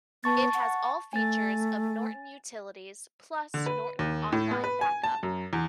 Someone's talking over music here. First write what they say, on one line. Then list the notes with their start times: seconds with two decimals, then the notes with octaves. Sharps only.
It has all features of Norton Utilities plus Norton Online Backup.
0.24 B3 A5 C#6 A6
0.54 F#5
1.13 A3 G#5 A6
3.54 D3
3.66 B4
3.99 D#2
4.32 A2
4.51 B3
4.64 B4
4.81 G#5
5.04 A5
5.23 F#2
5.53 E2